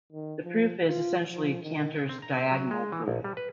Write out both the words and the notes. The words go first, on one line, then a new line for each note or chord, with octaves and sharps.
The proof is essentially Cantor's 'diagonal' proof.
D#3
F3
F4
F3
D#3
C4
A#5
C4
F#3
G#3
E3
A#1
G3
B4